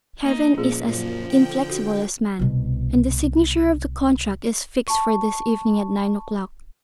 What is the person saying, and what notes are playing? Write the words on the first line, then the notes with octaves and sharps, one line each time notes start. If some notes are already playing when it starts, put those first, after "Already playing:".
Heaven is as inflexible as man, and the signature of the contract is fixed for this evening at nine o'clock.
A#3 D#4
A#2 F3 C#4 G#4
F#2 A#2 F3
D3 G5
F#4
C2 B2
A5 C#6